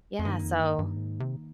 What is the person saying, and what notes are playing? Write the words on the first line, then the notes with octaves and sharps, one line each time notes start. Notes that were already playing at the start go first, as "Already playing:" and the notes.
yeah so
F2
G2 D#3 A#3 D#4
F2
G2
G2
G#2
C3